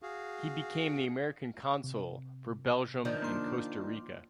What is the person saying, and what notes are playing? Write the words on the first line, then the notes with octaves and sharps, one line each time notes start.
He became the American Consul for Belgium and Costa Rica.
F#4 G#4 F5
C3
D#3 F3 D4
A#3 C6